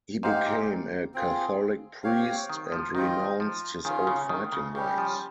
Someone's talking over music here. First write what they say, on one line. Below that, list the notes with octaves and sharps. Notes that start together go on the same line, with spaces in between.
He became a Catholic priest and renounced his old fighting ways.
G#2 D#4 G4 C5 F5
A#2
C4 F4 G#4
C4 G4 C#5 F5
D#3
F3
D#3 C4 F4 C5 D#5
F3
D#3 C#4 F4 G#4
C#3
D#3
C#3
C#3 G3 C#4 G4
F3